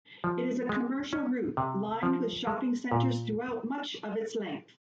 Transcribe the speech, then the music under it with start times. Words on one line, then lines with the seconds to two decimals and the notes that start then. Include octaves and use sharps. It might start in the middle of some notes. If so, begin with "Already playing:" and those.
It is a commercial route lined with shopping centers throughout much of its length.
0.24 F3
0.69 G#3
1.13 C#4
1.57 C3
2.03 F3
2.47 G#3
2.92 A#2